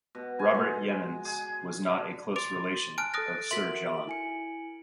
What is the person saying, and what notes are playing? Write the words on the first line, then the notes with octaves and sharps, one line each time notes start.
Robert Yeamans was not a close relation of Sir John.
B2
G#5
G#3
G#4
D3
C6 D6 A6 D7 F7
G#5 A5 F6 F#6 D7
A4 D#6 F#6 A6 A#6
F#4 A#4 E5 C6 B6 F#7
E4 G#5 C#7